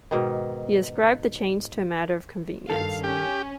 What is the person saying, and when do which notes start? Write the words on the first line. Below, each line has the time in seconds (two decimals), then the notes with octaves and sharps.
He ascribed the change to a matter of convenience.
0.11 G#2 B2 D#3
2.70 G2 D#3 A4 F5
3.04 C#4 G4